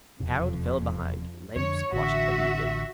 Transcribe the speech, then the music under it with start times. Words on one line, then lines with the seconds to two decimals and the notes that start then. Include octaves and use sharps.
Harold fell behind, limp, squashed, obedient.
0.20 E1 F2 C3
1.56 F2 D3 C#5
1.93 A1 D3 F#4 E5